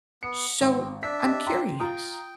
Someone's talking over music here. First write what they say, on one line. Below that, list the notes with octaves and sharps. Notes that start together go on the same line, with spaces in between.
So, I'm curious,
B3 C#7
G#1 C4
D4 D5 E5 B6
G4 D#5
G5 A#5 C6
F4 G5 A#5 D#6